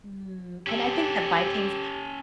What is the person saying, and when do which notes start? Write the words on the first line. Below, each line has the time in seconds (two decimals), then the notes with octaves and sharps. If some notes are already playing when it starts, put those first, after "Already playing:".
Mm, and I think that Vikings
0.67 C#4 G4 A4